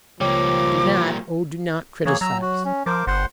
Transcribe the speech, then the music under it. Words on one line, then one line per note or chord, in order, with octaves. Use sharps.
Do not--oh, do not--criticise.
C#2 F3 G3 A#3 C#5 G5 D6
E3 A#3 G#4 C#5
F#3 A#5 E6
F#4
C#4
F3 A#4 C5 D6
G1 C5 F#5 C6